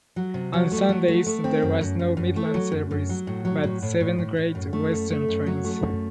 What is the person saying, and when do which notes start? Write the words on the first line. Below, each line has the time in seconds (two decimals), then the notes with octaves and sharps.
On Sundays, there was no Midland service, but seven Great Western trains.
0.16 F#3
0.34 C3
0.53 F#3
0.72 A3
0.89 F#3
1.08 A3
1.27 A3
1.44 C4
1.62 F#2
1.81 F#2
1.99 F#2
2.17 F#2
2.36 A3
2.54 F#3
2.72 F#2
2.91 F#2
3.09 F#3
3.27 A2
3.45 F#3
3.64 A2
3.82 A2
4.00 A2
4.18 A2
4.37 A2
4.55 F#2
4.73 A3
4.92 F#2
5.10 A3
5.28 F#2
5.46 F#3
5.65 A3
5.83 F#2